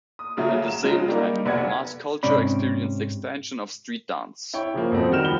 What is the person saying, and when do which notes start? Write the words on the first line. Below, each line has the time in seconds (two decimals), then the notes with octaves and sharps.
At the same time, mass culture experienced expansion of street dance.
0.19 D#6
0.37 A#2 C#3 F#3 A3
0.68 E7
0.83 C#3 F3 F#3 G#3 C#4
1.08 G3 A#3 D#4
1.45 F1 B1 B3 D5 F#5 G#6
2.23 G#2 C3 C#4 D5 B5
4.54 E4 C#5 G5 C#6
4.74 C#3 F3 A#3
4.92 F2 B2 F3 A3 C4
5.11 D#3 G3 F#4 G5 F6 E7
5.25 D#2 F3 B5 G7